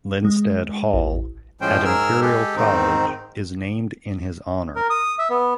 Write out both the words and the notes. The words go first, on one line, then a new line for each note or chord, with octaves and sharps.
"Linstead Hall" at Imperial College is named in his honour.
G#3
A1
A2 F3 G#3 C#4 C5 G5
G#2 G#4 A#4 E6 F6
G#3 G4 A4
G#2 D#3 C4 D#4
A#4
D#6
E5
B3